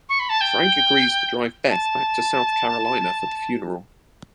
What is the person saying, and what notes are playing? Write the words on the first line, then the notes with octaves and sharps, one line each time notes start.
Frank agrees to drive Beth back to South Carolina for the funeral.
C#6
B5
A5
G5
A5